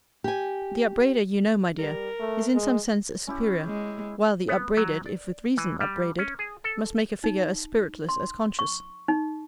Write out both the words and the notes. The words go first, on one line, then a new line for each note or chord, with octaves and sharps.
The upbraider, you know, my dear, is in some sense a superior; while the upbraided, if with reason upbraided, must make a figure as spiritless as conscious.
G4 G#5
G3 A#4
A3
G#3
C#4 E4 G4
G#3
B3
F#3
D5
E3
G3
C#4
G#4
A4
D#4
C6
C#6
D#4